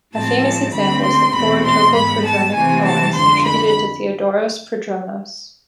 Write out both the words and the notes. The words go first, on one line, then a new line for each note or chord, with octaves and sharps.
A famous example is the four Ptochoprodromic poems attributed to Theodoros Prodromos.
A2 F3 G#3 C4 A5
A5
D2 D3 A3 C4 B5
C6
E2 B2 A3 C4 B5
C6
G#2 G#3 B3 B5
A5
C3 E3 A3 C4 G#5
A5
F2 D3 G#3 C6
B5